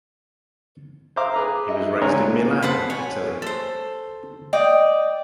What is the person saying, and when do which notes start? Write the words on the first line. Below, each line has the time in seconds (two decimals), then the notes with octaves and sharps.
He was raised in Milan, Italy.
1.16 C5 E5 F5 A#5 D6
1.34 G#4 B4 A#5
1.68 D#5 E5
2.02 C#2 D3 D4 C#5 G#5 A#5
2.62 B4 C5 F#5 A5
2.90 C#5 G#5
3.42 A4 C5
4.53 D5 D#5 G5